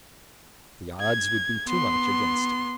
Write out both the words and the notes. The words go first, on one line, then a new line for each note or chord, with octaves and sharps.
The odds would be too much against him.
G#6
B3 C6